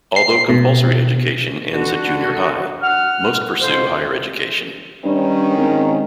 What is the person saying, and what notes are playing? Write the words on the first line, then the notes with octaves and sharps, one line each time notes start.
Although compulsory education ends at junior high, most pursue higher education.
C7
B2
D3 D4 F#4
F#5 F6
F2 B2 C5
G2 D#3 C#4
G#1